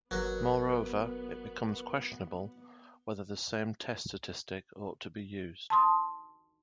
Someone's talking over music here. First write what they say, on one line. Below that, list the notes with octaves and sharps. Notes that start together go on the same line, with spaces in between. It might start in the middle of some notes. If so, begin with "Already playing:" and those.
Moreover, it becomes questionable whether the same test statistic ought to be used.
G1 F#3 B3 F#4 A#4 B4
A5 C6 D#6